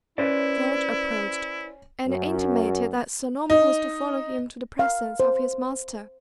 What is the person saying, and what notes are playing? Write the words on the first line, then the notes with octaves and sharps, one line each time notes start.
George approached, and intimated that Sir Norman was to follow him to the presence of his master.
C#4 E4 B4 C5 D5
F#2
D#4
F5
C5